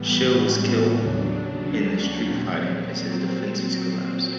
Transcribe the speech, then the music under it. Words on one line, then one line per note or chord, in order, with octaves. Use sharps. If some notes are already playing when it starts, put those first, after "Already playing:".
Schill was killed in the street fighting as his defenses collapsed.
Already playing: A2 E3 G3 B3
C#4
D#2 C#3 F#3 D4
C#4
A#2 F#3 C4